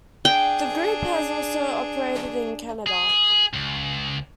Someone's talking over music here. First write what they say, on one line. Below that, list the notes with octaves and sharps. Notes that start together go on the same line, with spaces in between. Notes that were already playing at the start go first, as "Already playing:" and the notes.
The group has also operated in Canada.
D4 G#4 G5
G#4
C#2